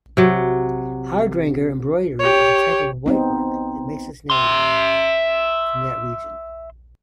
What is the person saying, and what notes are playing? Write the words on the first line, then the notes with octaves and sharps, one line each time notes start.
Hardanger embroidery is a type of whitework that takes its name from that region.
C3 F#3
G4 C#5
B3 C4 D#4
E5 C6